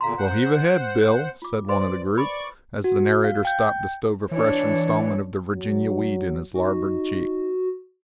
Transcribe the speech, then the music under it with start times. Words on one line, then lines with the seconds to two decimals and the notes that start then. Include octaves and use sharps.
"Well, heave ahead, Bill," said one of the group, as the narrator stopped to stove a fresh instalment of the Virginia weed in his larboard cheek.
0.01 E2 A#2 D3 F5 A#5 C6
0.18 C5 F#5
1.42 F4 D6
1.69 B4 C5 D5 C6
2.17 D5 B5 C#6
2.84 F#4
3.24 F5
3.45 G5 G6
4.31 E3 D4 C#5
5.51 F#3
6.54 D#4 F#4